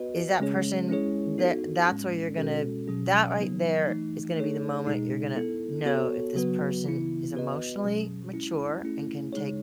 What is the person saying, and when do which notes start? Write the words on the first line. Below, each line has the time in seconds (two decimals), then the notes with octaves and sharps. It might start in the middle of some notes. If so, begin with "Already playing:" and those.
Is that person tha that's where you're gonna that right there, is gonna be the moment you're gonna know if this person is emotionally mature, and can take
Already playing: B3 F#4 B4 D#5
0.40 C#3 G#3 C#4 G#4 C#5
0.89 G#3 C#4 E4 G#4 C#5
1.38 B3 D#4 F#4 A4
1.88 A2 G#3 C#4
2.37 B2 G#3 C#4 F#4 A4
2.88 B2 F#3 C#4 G#4
3.37 C#3 F#3 B3 D#4
3.87 E3 A3 D#4
4.37 A3 D#4 G#4 C#5
4.86 B2 G#3 D#4 G#4
5.36 B3 E4 A4
5.85 B3 F#4 A4 C#5
6.35 C#3 F#3 B3 F#4 B4
6.85 C#3 E3 B3 E4
7.34 B3 F#4 B4 D#5
7.84 B2 F#3 C#4 G#4
8.34 G#3 C#4 E4
8.83 A3 C#4 E4 G#4
9.33 C#3 G#3 D#4 G#4 C#5